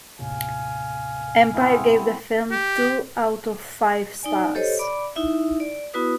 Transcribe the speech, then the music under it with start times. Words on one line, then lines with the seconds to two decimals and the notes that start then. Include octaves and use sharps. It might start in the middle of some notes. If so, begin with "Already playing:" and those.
"Empire" gave the film two out of five stars.
0.19 D#2 A2 C3 F5 G#5
1.54 E3 B3 C4
2.51 G4
4.23 D#4 D5 G#5
4.55 G4 A4 C5 C#5 D#5
4.79 D5 B5 D6
5.16 D#4 E4 E5
5.60 D5
5.94 B3 E4 F#4 B4 D#6